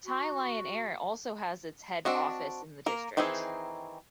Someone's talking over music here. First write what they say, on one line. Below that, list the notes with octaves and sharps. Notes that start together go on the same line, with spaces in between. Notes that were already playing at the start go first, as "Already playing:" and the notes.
Thai Lion Air also has its head office in the district.
F#4
C4 D4 F#4 D#5
A#3 A#4
D#3 E3 C4 D#4 G#4